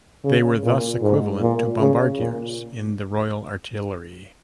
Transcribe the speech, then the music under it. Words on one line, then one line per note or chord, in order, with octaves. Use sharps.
They were thus equivalent to bombardiers in the Royal Artillery.
C#3
A#2
G#2
A#2
C#3
A#2